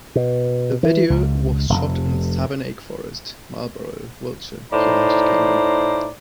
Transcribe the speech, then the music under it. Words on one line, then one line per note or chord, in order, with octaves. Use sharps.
The video was shot in Savernake Forest, Marlborough, Wiltshire, United Kingdom.
B2
E3
C#2
F1
A2 D#4 C5 D5 A#5